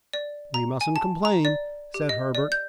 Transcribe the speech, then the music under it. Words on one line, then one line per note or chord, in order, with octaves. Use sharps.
"We mustn't complain," said Herbert.
D5
A#5
G#5
A5
A#5
D5
G4
D#5
D5
G6